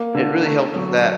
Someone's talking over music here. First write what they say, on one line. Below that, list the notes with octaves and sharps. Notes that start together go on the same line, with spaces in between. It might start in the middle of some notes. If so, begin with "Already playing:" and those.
it really helped with that.
Already playing: A#3
D3
A3
F#3